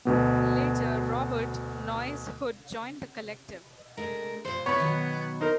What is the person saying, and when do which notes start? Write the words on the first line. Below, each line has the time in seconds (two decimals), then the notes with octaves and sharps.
Later Robert "Noise" Hood joined the collective.
0.05 D2 B2 B3
3.97 G#3 A3 D4 A#4
4.45 G2 A#2 C5
4.66 C3 B3 E4 C#5 B5
4.78 B2 D#3 F#3
5.41 D#4 A#4 C5